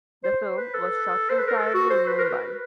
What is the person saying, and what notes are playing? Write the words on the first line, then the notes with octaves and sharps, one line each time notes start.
The film was shot entirely in Mumbai.
C5
B4
A4
C5
B4
A#4
A4
F#4
C5
B4
A#4
B4